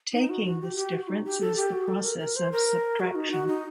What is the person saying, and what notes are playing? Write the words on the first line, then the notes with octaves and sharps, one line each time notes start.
Taking this difference is the process of subtraction.
D#4
F#4
F#4
G4
G4
F#4
D#4
G4
A4
G4
F#4
A4
A#4
A#4
C5
A#4
F#4
D#4
F#4
D#4